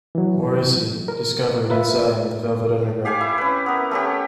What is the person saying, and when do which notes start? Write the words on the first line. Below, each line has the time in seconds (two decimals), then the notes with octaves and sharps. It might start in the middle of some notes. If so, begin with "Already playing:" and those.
Morrissey discovered and signed the Velvet Underground.
0.15 E3 F#3
1.08 A#4
1.70 F4 A#4 B4 E5
3.05 G4 F5 G#5 D6
3.21 E4
3.38 C#4 B4
3.66 B3 A#4
3.91 A3 C#4 G4